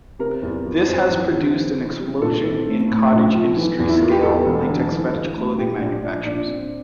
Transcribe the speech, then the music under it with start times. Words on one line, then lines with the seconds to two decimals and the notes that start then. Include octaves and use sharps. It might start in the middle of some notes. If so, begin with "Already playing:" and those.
This has produced an explosion in cottage industry scale latex fetish clothing manufacturers.
0.19 C3 A#4
0.42 E2
0.65 F3
0.86 F2 C5
1.09 E3
1.32 C3
1.54 E3
1.77 C4
1.99 G3
2.22 A#2 A4
2.44 C4
2.66 A3
2.89 A2
3.11 A#1
3.34 F3
3.56 E3
3.79 E2
3.88 E4
4.00 A#3 F4
4.11 G4
4.23 E2 A4
4.46 E1
4.68 D3
4.91 E3
5.13 G2
5.35 A3
5.58 A#2 G4
5.80 A#1 D4
6.03 F3 D4
6.25 A#2 D4
6.47 C4